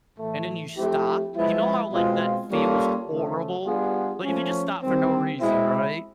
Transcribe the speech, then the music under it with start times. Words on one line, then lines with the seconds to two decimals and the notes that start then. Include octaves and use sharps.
and then you stop, you know how, like, that feels horrible? Like, if you just stop for no reason, right?
0.18 A2 E3 A3
0.76 F3 A3 C4 E4 G4
1.34 F3 G#3 B3 E4
1.93 B2 G#3 C4 F4
2.50 G3 A#3 C#4 F4 A4
3.08 C#3 F3 A3
3.66 G3 B3 D4 F4 G#4
4.24 F3 A3 C#4
4.82 D#3 G3 C4
5.39 B2 G#3 C4 E4